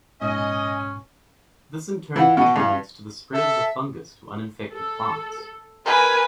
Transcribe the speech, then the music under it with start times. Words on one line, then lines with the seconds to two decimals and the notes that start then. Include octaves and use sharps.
This in turn contributes to the spread of the fungus to uninfected plants.
0.21 A#1 G#2 B2 C#4 D#5 G#5
2.16 E3 E4 F4 F#5
2.37 B2 D#5 F#5
2.56 G2 E4 F5
3.33 A4 E5
4.71 A4
5.86 A#4 B4 G#5